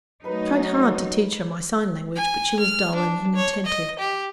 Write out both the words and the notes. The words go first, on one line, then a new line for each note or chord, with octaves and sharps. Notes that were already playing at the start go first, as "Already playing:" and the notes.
I tried hard to teach her my sign language, but she was dull and inattentive.
F#3 A3 D#4 A#4 B4
G#5
F6
D4
C#5
D#5
G4